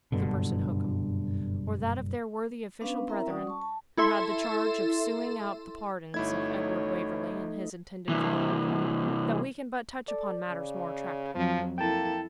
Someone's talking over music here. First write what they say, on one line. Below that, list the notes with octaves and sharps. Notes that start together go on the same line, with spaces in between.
Clippurse and Hookem, or that of their worthy official brethren who had the charge of suing out the pardons of Edward Waverley and his intended father-in-law, that we can but touch upon matters more attractive.
F#1 G2 B2 D3
B3 C#4 D4 B4 F5
C4 E4 A#4 E5 A#5
G3 C#4 F#4 D5 F#5 D#6
A5 C#6
A5
E4 A4 E5 C6
G1 A3 C#4 D#4 E4 F#4 C#5 G#6
C2 E3
A4 D5
C#3
F2 F3 F#3
A#3 E4 A4 G5 A5